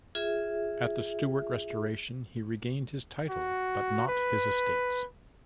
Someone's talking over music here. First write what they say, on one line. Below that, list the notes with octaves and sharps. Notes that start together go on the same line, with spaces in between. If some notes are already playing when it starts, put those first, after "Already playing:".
At the Stuart Restoration he regained his title but not his estates.
F4 G#4 E5
F#4
B4